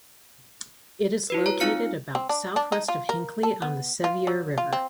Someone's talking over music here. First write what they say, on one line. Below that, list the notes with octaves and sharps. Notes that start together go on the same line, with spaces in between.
It is located about southwest of Hinckley on the Sevier River.
E4 F#4 B4
C#5 A#5
C4 D#4 F4 F5 F6 C#7
C4
D4
D4
D#4
F4
A#4
A4
B3
F4
F#3
F4
C4